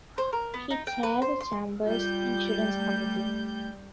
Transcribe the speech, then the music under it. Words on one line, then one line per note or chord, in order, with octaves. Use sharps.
He chaired the chamber's Insurance Committee.
C5
A#4
B3
D#4
G5
B4
C5
C6
G3 F4 G6
A3